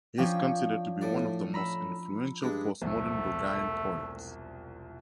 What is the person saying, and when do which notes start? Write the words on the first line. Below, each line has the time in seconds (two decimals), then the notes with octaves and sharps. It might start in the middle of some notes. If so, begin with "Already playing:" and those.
He is considered to be one of the most influential postmodern Bulgarian poets.
0.18 F3 C#4 D4 G5
1.01 A2 D5
1.54 A#5 B5 E6
2.42 G2 G#3
2.82 E1 C2 F3 A3